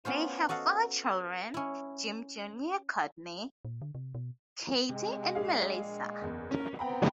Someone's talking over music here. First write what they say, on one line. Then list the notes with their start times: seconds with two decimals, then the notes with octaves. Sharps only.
They have four children, Jim Junior Courtney, Katie and Melissa.
0.05 B3 C#4 F4 C5
0.49 F#4 A4 D#5 F5 F#5
1.54 C#4 E4
3.65 A#2
3.82 D3
3.95 C3
4.15 B2
4.89 C3 G#3
5.35 A#1 G#4 F5
6.21 F#1 E2
6.51 C#4 A#4
6.79 B3 C4 G5 A#5 B5